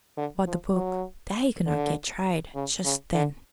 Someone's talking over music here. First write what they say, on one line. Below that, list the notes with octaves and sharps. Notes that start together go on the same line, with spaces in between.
But the book--that he could not get tried just then.
D3
F3
F#3
D3
C#3
C#3
D3